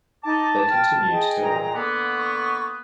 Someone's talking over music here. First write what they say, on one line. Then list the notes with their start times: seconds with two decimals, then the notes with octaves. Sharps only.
They continued touring.
0.23 D#4 A5 D6
0.69 G5 F6
1.10 G#4 D#5 G5
1.42 A#2 A#5
1.73 D3 A#3 B3
2.18 C#6